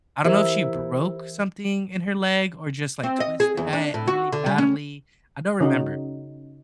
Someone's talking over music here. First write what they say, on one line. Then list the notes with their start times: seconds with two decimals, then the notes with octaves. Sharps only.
I don't know if she broke something in her leg or, just, like, twisted it really badly, I don't remember,
0.24 E3 E4 G4 A#4 C5 E5
3.03 C4
3.20 D#5
3.40 G#4
3.57 E2
3.73 D4
3.94 A2
4.07 F#4
4.32 D3
4.46 G3
4.58 C#4
5.60 C#3 C#4 D#4 F#4